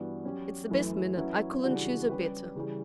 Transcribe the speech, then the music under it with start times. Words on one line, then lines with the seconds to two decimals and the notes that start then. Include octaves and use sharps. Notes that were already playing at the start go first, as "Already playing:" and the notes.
"It's the best minute; I couldn't choose a better."
Already playing: G2 E3 B3 F#4
0.24 F#3 C#4 G4
0.70 F#2 E3 A3 E4 B4
1.16 F#3 C#4 E4 B4 E5
1.63 C#3 E3 G3 D4 F#4
2.09 G3 C#4 G4 B4
2.55 C#3 E3 G3